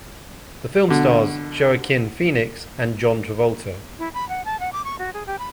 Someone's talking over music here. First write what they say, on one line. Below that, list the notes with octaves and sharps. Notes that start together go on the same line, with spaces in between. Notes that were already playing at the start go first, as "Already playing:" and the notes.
The film stars Joaquin Phoenix and John Travolta.
B2 D3
E4
B5
F#5
A5
F#5
D6
C#6
F#4
G#4
G4
B5